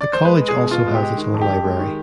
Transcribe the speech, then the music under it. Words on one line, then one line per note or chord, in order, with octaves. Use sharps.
The college also has its own library.
D5
C5
G#3 B4
G#3
G#4
B2
B2 F4
G#3
G4
G#3
D#3
F2
G4
F2
G#3
D#3